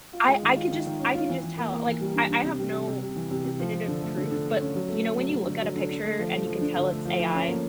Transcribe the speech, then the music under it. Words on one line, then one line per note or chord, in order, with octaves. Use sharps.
I I could just I can just tell, uh, like, I I have no definitive proof, but, you know, when you look at a picture and you can tell it's AI
F4
G#3
D#3
F4
D#3
D#3
C#4
F4
E3
E3
A#3
A#3
E3
G3
D4
D4
C3
G3
C3
C3
C3
E3
C3
C3
F3
F3
D3
A3
D3
D3
A3
C#4
F#3
A3
A3
F#3
F#3
D3
F#3
D3
D4
A3
F3
A3
F3
D4
D3
A3
F3
F3
C#4
A#3